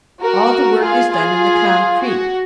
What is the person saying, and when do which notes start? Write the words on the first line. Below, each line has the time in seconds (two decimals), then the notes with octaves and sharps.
All the work is done in the concrete.
0.21 F#4 A#4
0.82 F4 G#4
1.11 F4 G#4
2.02 F#4